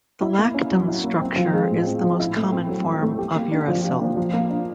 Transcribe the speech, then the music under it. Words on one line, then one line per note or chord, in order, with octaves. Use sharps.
The lactam structure is the most common form of uracil.
E4
A#3
C#4
F#3
E4
A#3
C4
F3
G#3
A2
C4
F3
E4
A3
C4
F#3
E4
A3
G4
A#3
D4
F3
G4
A#3
F3
A#3
D4